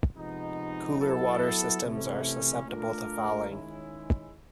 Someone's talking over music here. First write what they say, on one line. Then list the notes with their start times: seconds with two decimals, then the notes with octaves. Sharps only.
Cooling water systems are susceptible to fouling.
0.14 C3 F3 G#3 B3 D#4
0.97 F#3 B3 E4 A4
1.82 C3 E3 A3 C#4
2.65 A3 D4 F4 A#4
3.49 D#3 G#3 C#4 E4